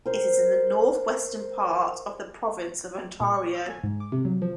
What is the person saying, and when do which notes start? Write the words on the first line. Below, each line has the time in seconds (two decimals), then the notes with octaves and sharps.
It is in the northwestern part of the province of Ontario.
0.06 A#4 C5
3.20 A#2
3.34 C#6
3.55 E6
3.70 G#5
3.84 G#2
4.00 D6
4.12 C3
4.25 F#3
4.42 F3